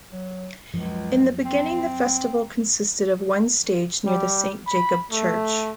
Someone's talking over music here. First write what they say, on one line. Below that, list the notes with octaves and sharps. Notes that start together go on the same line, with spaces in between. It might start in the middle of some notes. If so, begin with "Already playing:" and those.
In the beginning the festival consisted of one stage near the Saint Jacob Church.
F#3
C#2 F#2 F3
C4
G3
B5
A3